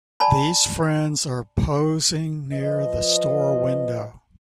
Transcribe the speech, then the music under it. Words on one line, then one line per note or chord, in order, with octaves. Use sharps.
These friends are posing near the store window.
D5 G#5 A5 B5
F3 B4 D#5